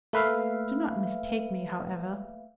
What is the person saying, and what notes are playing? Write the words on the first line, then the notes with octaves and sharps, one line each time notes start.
Do not mistake me, however.
A3 A#3 B4 E5 F5